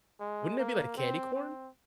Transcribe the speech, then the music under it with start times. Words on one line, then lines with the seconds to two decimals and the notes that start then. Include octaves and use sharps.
wouldn't it be like a candy corn?
0.20 G#3
0.59 A#3
0.97 C4
1.35 C4